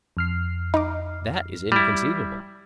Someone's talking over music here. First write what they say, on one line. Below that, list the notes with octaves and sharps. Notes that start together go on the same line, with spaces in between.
That is inconceivable.
F2 F6 C7
D#4 A#5 D6
G3 E4